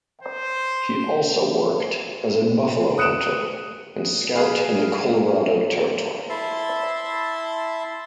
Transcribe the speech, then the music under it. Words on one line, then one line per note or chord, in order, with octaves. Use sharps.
He also worked as a buffalo hunter and scout in the Colorado Territory.
C5
D#6 F#6 C#7 D7 E7
G#4 B4 F5
E4 E5 A5 C6